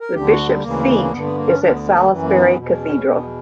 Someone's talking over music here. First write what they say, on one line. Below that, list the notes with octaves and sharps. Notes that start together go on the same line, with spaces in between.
The bishop's seat is at Salisbury Cathedral.
A#4
D2 D3 G4
F#4
G3
D2 C#3 E3 A#3
G2 D3 B3
B3
A#3
C#4
D2 D3 D4
C#4
B3
B3
A#3
F#2 E3
A#3
B3
E2 B2
C#4
E2 B2 B3